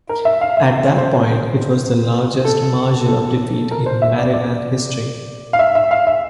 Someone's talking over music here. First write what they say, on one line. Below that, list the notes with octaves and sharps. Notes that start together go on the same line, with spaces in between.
At that point, it was the largest margin of defeat in Maryland history.
A#4
E5
F5
E5
E5
C5
A4
A4
A#4
C5
E5
D5
D5
F5
E5
E5
F5
E5